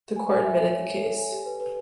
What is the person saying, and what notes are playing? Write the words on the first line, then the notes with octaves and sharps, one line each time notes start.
The court admitted the case.
G#5
G#5
E5
C#5
C#5
C#5
A4
G#5
G4
B4
B4